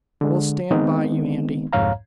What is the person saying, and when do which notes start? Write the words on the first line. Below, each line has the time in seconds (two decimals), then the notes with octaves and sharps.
"We'll stand by you, Andy."
0.21 D3 G#3
0.71 D#3 G#3 B3 C4 D#4
1.73 C2 F2 G#2 C#5 F5 A#5